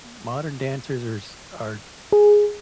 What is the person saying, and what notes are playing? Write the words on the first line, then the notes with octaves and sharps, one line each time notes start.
modern dancers are s are
G#4